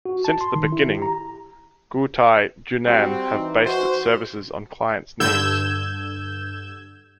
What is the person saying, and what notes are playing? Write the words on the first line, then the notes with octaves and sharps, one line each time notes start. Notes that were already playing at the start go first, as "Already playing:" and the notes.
Since the beginning, Guotai Junan have based its services on clients' needs.
F#4
A5
C6
D#3
E4
G4
A#5
G3 C4 F#4
E3 D#4
F#4 C5
G2 D3 E6 G6 G#6 E7